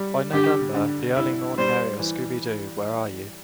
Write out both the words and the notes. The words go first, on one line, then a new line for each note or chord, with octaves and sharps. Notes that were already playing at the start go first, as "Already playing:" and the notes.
By November, the early-morning airing of Scooby-Doo, Where Are You!
Already playing: G3
D3 G4
D3
E4
G3 C5
E3